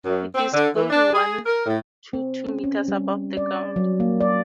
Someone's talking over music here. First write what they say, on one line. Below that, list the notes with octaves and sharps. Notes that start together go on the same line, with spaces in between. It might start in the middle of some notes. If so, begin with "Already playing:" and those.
It is built one to two metres above the ground.
F#2
C4
D3
E3
D4
G#4
A#4
A2
C4
C#4
C#4
G3
D5
F#3
A#3
D5